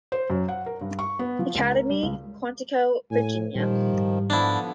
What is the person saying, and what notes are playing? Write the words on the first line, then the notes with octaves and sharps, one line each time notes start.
Academy, Quantico, Virginia.
C5
F#2
F#5
A#4
G2
C#6
B3
F3
C#2
A#4
G3
C#2
A2 G#5
A#2 D#3 F3 G3
G#2
D3 F3 B3 D4 E4